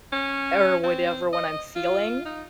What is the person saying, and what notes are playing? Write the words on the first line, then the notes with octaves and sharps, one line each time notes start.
or whatever when I'm feeling.
C#4
C4
D#5
F4
D#4